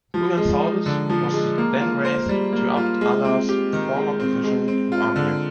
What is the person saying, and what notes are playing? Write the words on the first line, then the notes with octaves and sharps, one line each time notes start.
Buyan Suldus was then raised to 'Abd Allah's former position of amir.
F3
G#3
D#4
D3
F3
G#3
A#3
F4
C5
G3
A#3
F4
G#3
C4
G4
D#3
G#3
C4
G#3
C4
F4
D3